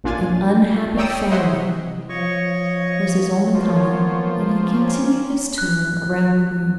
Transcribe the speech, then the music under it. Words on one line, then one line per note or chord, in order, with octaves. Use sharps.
"An unhappy family!" was his only comment, and he continued his tour around the room.
A1 A#2 D4 F4 G#5 A6
C#5 D5 G5 A#5 D#6 E6
C5 C#5 D#5 E5 F#5 C6
C3
F3 C#5 D#5 C#6
F3 A#3 B3 C#5
A#3 C4 C#4
F#6